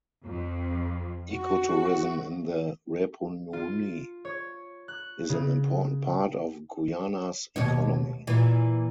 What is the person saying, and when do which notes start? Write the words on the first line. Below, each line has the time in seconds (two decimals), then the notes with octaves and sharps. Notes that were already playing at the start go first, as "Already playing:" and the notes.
Eco-tourism in the Rupununi is an important part of Guyana's economy.
0.24 F2
1.33 F#4
3.53 F4
4.25 C#5
4.88 F#6
5.29 C#3
7.56 D#2 B2 C#5
8.27 A#2 E3